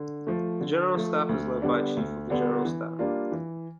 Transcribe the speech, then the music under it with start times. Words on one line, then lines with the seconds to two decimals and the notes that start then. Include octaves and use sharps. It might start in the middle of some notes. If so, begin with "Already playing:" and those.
The general staff is led by the Chief of the General Staff.
Already playing: D3
0.27 F3 A3
0.61 D3
0.94 F3 A3
1.29 D2
1.62 D3 G3 B3 D4
1.97 D2
2.30 D3 G3 B3 D4
2.65 E3
2.99 G3 A#3 D4 F4
3.32 E3